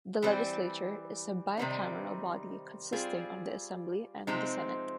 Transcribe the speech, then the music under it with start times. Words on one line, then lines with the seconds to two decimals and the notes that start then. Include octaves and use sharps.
The Legislature is a bicameral body consisting of the Assembly and the Senate.
0.22 E3 G3 C4
1.57 C3 D#3 G3 C4 D#4
2.92 G3 C4 F4 G#4
4.27 C3 F3 G#3 C4 D#4